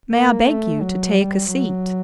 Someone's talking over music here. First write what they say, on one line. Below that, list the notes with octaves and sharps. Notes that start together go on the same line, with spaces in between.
May I beg you to take a seat?'
A#3
A3
F#3
G3
F#3